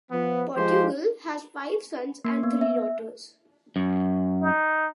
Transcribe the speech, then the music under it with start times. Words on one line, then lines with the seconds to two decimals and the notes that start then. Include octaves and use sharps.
Portugal has five sons and three daughters.
0.11 F3 B3
0.57 F3 G#3 F4 G4 C5
2.25 A#3
2.43 B3
2.61 E5
3.76 F#2
4.41 D#4